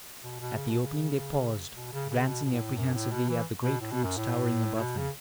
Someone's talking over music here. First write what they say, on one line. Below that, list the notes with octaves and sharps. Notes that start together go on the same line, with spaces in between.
At the opening they paused, glancing apprehensively at the great roots towering above them.
B2
B2
C#3
B2
C#3
B2
C#3
C#3
B2
B2
A2
F#2
A2
B2
E3
B2
A2
B2
F#2
A2
A2
B2
C#3